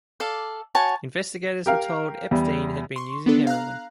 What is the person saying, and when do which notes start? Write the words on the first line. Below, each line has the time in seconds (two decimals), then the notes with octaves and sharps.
Investigators were told Epstein had been using heroin.
0.20 A4 D5 F5
0.75 F#4 C#5 G#5 A5
1.66 G4 A#4 F5
2.31 E2 G3
2.96 C6 C#6
3.26 B3 D4 A4
3.47 F5 A#5 F#6